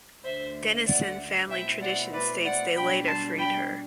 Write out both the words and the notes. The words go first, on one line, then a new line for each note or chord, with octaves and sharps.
Denison family tradition states they later freed her.
D2 D3 A3 D4 C5 E5
D5 F#5
B2 A3 C4 E4 E5 G5
D5 F#5
B4 D5
D5 F#5
B2 G3 D4 G5 B5
A5 C6
G5 B5